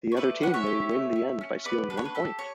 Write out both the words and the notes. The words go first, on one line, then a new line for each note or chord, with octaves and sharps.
The other team may win the end by stealing one point.
C#5
A3 B4 D5
C#4 F#5
C#5 E5
G4
A3
A3
C#4
B3 B4 D5
D4 B4
C#5
B4
G4 A4
C#5